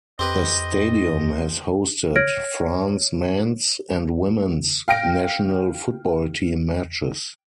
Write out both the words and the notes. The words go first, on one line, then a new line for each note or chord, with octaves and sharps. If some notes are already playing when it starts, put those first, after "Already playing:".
The stadium has hosted France men's and women's national football team matches.
F2 C4 G4 B4 D#5
C#5 F6 G#6 A#6 D7
F5 G5 A#6 D7